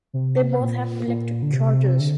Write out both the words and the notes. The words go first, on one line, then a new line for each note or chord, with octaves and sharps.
They both have electric charges.
C3
A#2
A#2
D3
C3
D3